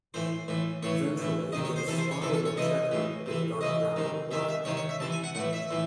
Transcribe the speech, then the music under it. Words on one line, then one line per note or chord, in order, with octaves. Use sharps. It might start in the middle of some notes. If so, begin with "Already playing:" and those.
Ventrally, it is spotted or checkered with dark brown or black.
A2 E3 C5
A2 E3
A2 E3 C#5
A2 E3
C3 D#3 D#5
C#5
C5
C3 E3 A4
C5
C#5
C3 E3 A4
A4
C#5
C3 E3 D#5
A2 E3
C3 E3
C3 E3 D#5
C3 D#3
C3 D#3 E5
E5
C3 D#3 C#5
C#5
E5
C3 E3 A5
G#5
F#5
A2 E3 F#5
E5
A2 E3